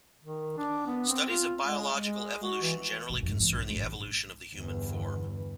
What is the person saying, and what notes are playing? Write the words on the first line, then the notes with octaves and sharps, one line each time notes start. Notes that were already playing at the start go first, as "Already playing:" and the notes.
Studies of biological evolution generally concern the evolution of the human form.
D#3
D4
B3
C4
F4
G#3
G#3
F#4
E3
G1 B2
F2 G#2
E3 G3
A#1
G1 F#2
A1
G1 E2